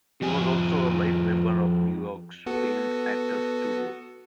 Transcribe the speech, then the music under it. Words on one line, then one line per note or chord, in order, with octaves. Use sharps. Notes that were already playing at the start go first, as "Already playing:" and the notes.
He was also a life member of New York's famed Actors Studio.
F2 F3 G#4 G#5
B3 F#4 A4